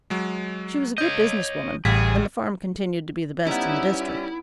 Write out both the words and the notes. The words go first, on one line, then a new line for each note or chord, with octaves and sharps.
She was a good business-woman, and the farm continued to be the best in the district.
F#3 G#3
C#5 D#5 G6
A1 D2 G3 G#4 B6
G3 B3 C#4 D#4 E4